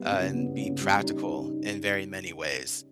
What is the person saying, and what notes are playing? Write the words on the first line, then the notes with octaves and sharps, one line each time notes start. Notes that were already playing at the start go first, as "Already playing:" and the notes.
uh, and be practical in very many ways.
Already playing: G3 B3
C#3
B3
C#3
G3
D#4
D#4